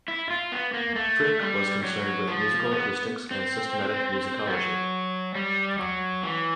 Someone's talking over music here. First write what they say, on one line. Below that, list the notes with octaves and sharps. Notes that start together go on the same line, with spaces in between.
Fricke was concerned with musical acoustics and systematic musicology.
E4
F4
B3
A#3
A3
G3
F#3
F3
B3
C4
F#3
G3
F#3
E3